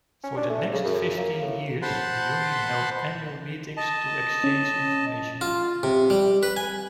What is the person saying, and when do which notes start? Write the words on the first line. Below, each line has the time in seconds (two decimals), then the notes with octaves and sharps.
For the next fifteen years the Union held annual meetings to exchange information.
0.24 C#4
0.37 D4
0.50 A3
0.73 C#3
0.85 F#2
1.18 A#3
1.42 A2
1.82 C5 F#5 A5 B5 C6
3.77 D#5 A5
4.44 C#4
5.41 F4
5.83 C3
6.10 G3
6.43 B4
6.56 G#5